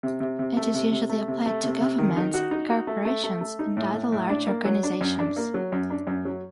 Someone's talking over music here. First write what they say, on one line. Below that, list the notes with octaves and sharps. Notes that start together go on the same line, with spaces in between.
It is usually applied to governments, corporations, and other large organizations.
C3
C3
C3
A3
C3
C3
A3
C3
A3
C3
C3
D#3
D#4
F#4
D#4
F#4
A3
A3
A3
A3
D#4
A2
A2
A2
D4
A#3
F#3
D4
F#2
D4
A#3
F#3
F#2
D4
F#2
F#3